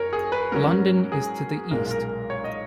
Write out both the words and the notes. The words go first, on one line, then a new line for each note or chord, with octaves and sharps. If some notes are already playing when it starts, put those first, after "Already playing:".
London is to the east.
Already playing: F#2 F#3 A#4 C#5
G#4
B4
G#2 F#3 C#4 A#4
G#4
B1 A#2 G#3 A#4
A#4
C#5
D#5